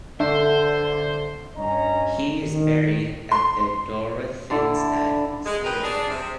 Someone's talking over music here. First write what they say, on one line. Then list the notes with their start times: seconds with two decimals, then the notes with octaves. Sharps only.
He is buried at the Dorotheenstadt Cemetery.
0.20 D3 D4 C5 E5
1.55 G2 C#4 D#5 A#5
2.43 D#3
3.32 C6
4.50 D3 E4 A4 D5
5.46 G#3
5.65 F2 C#3 G4 A#4 B4 D#5
5.84 D4 G#4
6.09 C3